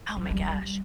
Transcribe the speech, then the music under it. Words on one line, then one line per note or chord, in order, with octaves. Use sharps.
Oh my gosh.
F#3
G3